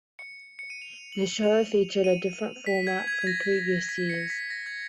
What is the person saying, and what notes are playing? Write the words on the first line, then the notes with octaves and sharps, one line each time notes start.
The show featured a different format from previous years.
C#7
C#7
D#7
F7
F#7
F7
D#7
B6
G#6
G#6
G#6
A#6
B6
C#7
B6
A#6
G#6